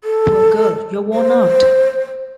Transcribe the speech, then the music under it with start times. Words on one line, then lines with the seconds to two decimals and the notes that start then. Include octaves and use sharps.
Poor girl, you're worn out.
0.04 A4
1.13 C5